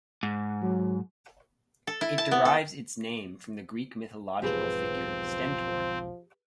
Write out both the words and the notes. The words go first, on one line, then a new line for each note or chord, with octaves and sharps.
It derives its name from the Greek mythological figure Stentor.
G#2
F#3
A4
E4
A5
B3
A4
E1 B1 G#2 F3 C4 G4 G#4 B4